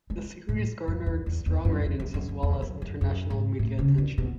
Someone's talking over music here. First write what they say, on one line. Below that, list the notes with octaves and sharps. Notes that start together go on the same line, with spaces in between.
The series garnered strong ratings as well as international media attention.
G#3
A2
F#2
E2
E2
E2
F#2
E2
F#2
F#2
F#2
E2
F#2
F#2
F#2
G#2
A2
C#3
D3
B2